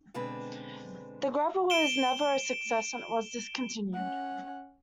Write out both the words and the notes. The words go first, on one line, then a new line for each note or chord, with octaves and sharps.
The "Gravel" was never a success and was discontinued.
B2 D3 G#3 C4 D4 B4
D7 E7 G7
C#4 F#5